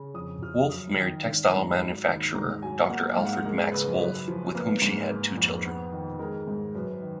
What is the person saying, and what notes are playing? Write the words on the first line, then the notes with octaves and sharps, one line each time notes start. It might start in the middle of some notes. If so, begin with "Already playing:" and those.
Wolff married textile manufacturer Doctor Alfred Max Wolf with whom she had two children.
Already playing: C#3
F2 D#6
F3 F6
F#2 D#6
D#3
G#1
G#2 B5
A#5
B5
F#3
D#2
G#2 A#5
F#3 G#5
A#3 F#5
G#2 F5
F#5
F5
G#3 A#4
C#3 B4
F#2
F3
A#3 B4
G#2
A#3
F2
B3
D#3
G#3 A#4
G#2
F#2 B4
B4
D#3